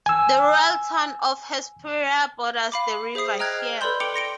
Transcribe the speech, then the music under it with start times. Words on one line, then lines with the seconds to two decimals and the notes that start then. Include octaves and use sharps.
The rural town of Hesperia borders the river here.
0.06 G#5 E6
2.72 F5 B5 D6
3.15 G#4 C5 E5 D#6 C7
3.39 D#5 G5 A#5 F6 F#6 G#6
3.81 A4 B4 D5 B5 C6 G6
4.00 G5 D6 C#7 D7 F7 G7
4.14 C6 A#6 C#7 D7